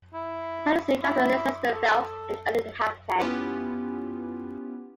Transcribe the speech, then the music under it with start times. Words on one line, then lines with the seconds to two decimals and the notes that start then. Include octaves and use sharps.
The town is named after Leicester Phelps, an early inhabitant.
0.14 E4
1.02 E4
1.72 A4
3.20 B3 C#4 E4 F4 G4 B4